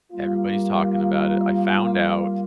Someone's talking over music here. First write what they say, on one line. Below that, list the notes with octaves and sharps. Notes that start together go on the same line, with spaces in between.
everybody's talking about it, I found out
G3 A#3 F4